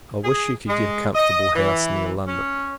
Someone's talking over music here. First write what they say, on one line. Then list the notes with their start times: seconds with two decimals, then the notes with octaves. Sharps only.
I wish you could get a comfortable house near London.
0.24 G#4
0.68 G#3
1.15 D#5
1.55 E3
2.27 C#4